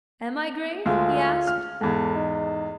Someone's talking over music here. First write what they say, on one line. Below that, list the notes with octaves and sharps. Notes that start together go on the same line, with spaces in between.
"Am I grave?" he asked.
D2 G#3 F4
F6
E2 G#2 A4
D#4